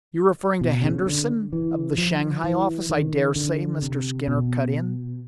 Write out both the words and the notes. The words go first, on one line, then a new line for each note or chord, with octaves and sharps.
"You're referring to Henderson, of the Shanghai office, I dare say," Mr. Skinner cut in.
B2
C#3
D3
E3
F3
E3
D#3
D3
C3
B2